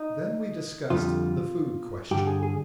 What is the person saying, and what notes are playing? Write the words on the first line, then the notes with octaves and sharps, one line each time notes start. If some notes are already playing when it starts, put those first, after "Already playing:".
Then we discussed the food question.
Already playing: D#4
F2 D3 G3 F4
G2 D3 G3 G4
G#4
G#4